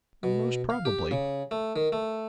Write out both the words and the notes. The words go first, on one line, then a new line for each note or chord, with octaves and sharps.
"Most probably."
B2
F5
G4
C#3
A3
D#3
A3